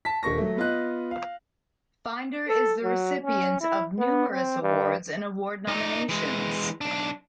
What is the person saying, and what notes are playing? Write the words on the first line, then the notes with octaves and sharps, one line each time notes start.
Finder is the recipient of numerous awards and award nominations.
A5 B6
D#1 D3 A#3 C#6 A#6
F#3 A3
B3 F4 D#5 F#6
F5
A4
F#3
C#4
E4
B3
C4
G2
D#4 D5
E3 G#3
B1 D4